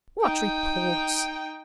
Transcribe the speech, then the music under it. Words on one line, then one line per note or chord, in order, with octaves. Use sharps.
"What reports?"
D#4 G5